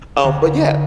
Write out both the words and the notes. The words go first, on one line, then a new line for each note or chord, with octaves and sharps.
Um, but, yeah,
D2